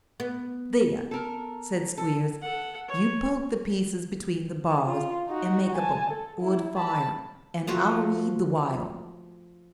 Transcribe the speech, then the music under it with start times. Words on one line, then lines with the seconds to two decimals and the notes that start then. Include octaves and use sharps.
'There!' said Squeers; 'you poke the pieces between the bars, and make up a good fire, and I'll read the while.
0.20 B3
1.11 A4 A#4
1.98 A4
2.42 A4 F#5
2.88 C#5
4.85 F4
5.27 D#4 F#4
5.75 G#5 A5
6.10 A4
6.40 E4
6.76 A5 B5
7.67 F3 A3 F4 F#4